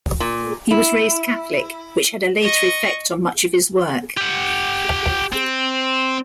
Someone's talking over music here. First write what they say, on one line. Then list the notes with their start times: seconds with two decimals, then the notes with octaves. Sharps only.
He was raised Catholic, which had a later effect on much of his work.
0.20 A#2
0.71 E4
2.41 D#5 C#6
4.17 G4 F#5
5.32 C4